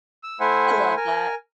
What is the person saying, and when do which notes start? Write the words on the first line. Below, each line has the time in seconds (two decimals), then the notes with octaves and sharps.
I love that.
0.24 E6
0.40 A3 E4 C5 E5 F#5 G#5
0.97 A#4 G#5